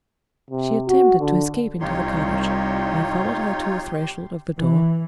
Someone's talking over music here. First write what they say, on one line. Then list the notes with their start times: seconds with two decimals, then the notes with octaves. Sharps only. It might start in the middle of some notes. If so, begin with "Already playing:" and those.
She attempted to escape into the cottage; I followed her to the threshold of the door.
0.51 C3
0.88 F#4
1.20 D3
1.80 C2 D#4 F4 G4 C#5 C6
4.58 E3